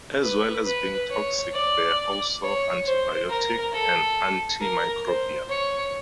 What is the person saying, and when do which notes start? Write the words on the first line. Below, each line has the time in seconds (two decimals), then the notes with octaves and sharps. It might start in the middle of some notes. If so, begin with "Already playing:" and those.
As well as being toxic they are also antibiotic and antimicrobial.
0.22 B4
0.66 B4
1.10 C#5
1.54 D5
2.42 C#5
2.86 C5
3.30 A#4
3.73 A4
4.61 A#4
5.06 C5
5.49 C#5